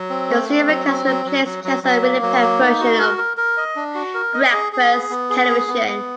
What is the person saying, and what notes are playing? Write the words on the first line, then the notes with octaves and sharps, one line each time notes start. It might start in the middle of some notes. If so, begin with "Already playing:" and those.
The simulcast replaced the cancelled Winnipeg version of "Breakfast Television".
Already playing: F#3
C4
A3
C4
F#3
C4
F#3
F#3
F#3
F#3
F#3
A#3
F#3
A#3
D#4
F#4
A#4
A#4
A#4
D#5
D4
F#4
A#4
D#5
G#4
G#4
B3
B3
G#4
B3
B3
B3